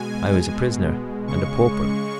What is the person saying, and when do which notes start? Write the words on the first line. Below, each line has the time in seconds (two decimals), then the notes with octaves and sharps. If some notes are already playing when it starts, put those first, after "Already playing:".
I was a prisoner and a pauper.
Already playing: B2 G#3 G#5
0.51 B2 G#3
1.28 C#3 G#3 C#6